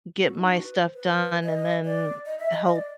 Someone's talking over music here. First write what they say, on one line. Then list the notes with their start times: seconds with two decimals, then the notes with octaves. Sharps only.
get my stuff done and then help
0.22 F#4
0.33 D#4
0.44 D4
0.53 F#4
0.63 B4
0.74 C5
0.94 B4
1.44 D#5
1.85 D5
2.26 D#5
2.39 E5
2.52 D#5
2.66 D#5
2.76 D5